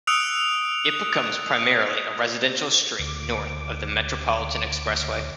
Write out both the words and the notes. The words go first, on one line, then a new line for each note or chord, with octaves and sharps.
It becomes primarily a residential street north of the Metropolitan Expressway.
D#6 E6 F#6 C#7 D7 F7
D2 D6